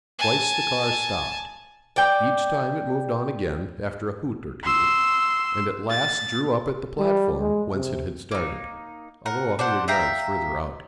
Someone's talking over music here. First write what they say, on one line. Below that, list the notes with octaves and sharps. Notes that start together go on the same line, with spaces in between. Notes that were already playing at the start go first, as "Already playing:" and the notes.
Twice the car stopped; each time it moved on again after a hoot or two, and at last drew up at the platform whence it had started, although a hundred yards further out.
G#5 A5
D5 G5
C6 E6
A6
G3
G#3
C3
A#3 D#4
A#4 F#5
D4 C5 F#5
E5 F5 G5 A#5